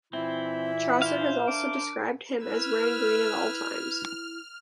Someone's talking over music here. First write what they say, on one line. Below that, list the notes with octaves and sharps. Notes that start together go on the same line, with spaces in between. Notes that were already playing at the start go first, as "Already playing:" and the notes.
Chaucer has also described him as wearing green at all times.
A#2 E3 C4 E4 E5
C5 F5
D4 A#4 D6
E4 B4 E6 F6 G#6